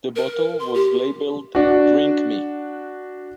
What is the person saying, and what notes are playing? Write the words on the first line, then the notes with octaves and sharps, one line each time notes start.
The bottle was labelled "drink me".
A#4
C6
G4
D4 F#4